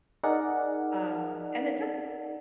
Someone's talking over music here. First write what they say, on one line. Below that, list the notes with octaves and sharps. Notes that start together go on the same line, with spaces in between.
um, and then somet
D#4 G#4 A#4 D5 F#5